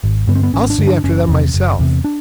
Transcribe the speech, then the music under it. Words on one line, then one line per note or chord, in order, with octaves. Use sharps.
"I'll see after them myself."
G#1
G2 D3 B3
C4
B3
G#1 C#4
D4
G2 D3
D4
F#1 C#4
E2 C3
F#1
E2 C3
D4